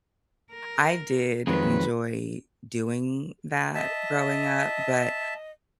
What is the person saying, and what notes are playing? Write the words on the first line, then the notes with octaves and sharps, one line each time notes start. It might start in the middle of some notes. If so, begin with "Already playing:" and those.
I did enjoy doing that growing up, but
A#4
F2 D#3 F#3 G#3 B4
D#5 E5 A5